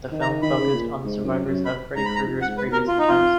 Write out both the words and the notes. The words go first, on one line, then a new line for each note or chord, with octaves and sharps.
The film focused on the survivors of Freddy Krueger's previous attempts.
D#3
A#5
D#3 B5
C#3
A#2
G#2
F#2
F#2
B5
G#2 A#5
B5
A#5
F2
F#5
G#2
B4
B2 A#4
F4
D#4
F2 F4